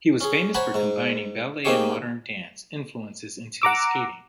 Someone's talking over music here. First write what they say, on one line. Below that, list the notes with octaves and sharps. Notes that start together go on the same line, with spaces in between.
He was famous for combining ballet and modern dance influences into his skating.
C#4 G#4
C5 C#5 F#5 G#5 A#5 B5
G#2 A#5
A#3 C4 D#4 G4 G#4 C#5
F#5 A#5 D6 E6